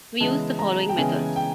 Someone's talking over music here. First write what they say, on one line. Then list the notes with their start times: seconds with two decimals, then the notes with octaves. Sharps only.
We use the following methods.
0.20 C#3 E3 G#3 B3 A5
0.59 A#5
0.89 G5
0.98 C#3 E3 G#3 B3 G#5
1.36 G5